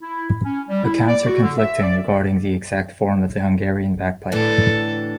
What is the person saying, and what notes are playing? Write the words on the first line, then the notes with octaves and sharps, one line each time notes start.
Accounts are conflicting regarding the exact form of the Hungarian bagpipe.
E4
C#4
G3
E4
D5
F#4
D3
E5
D5
A2 D3 E3 A4